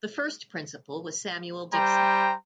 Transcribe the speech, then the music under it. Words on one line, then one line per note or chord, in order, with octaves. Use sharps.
The first Principal was Samuel Dixon.
G3 C5 G5 A#5